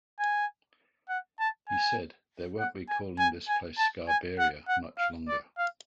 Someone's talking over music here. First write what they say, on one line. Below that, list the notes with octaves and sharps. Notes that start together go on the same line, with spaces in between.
He said, They won't be calling this place Scarberia much longer.
G#5
F#5
A5
G#5
F#5
G#5
G#5
G#5
A5
G#5
F#5
F#5
F5
D5
F5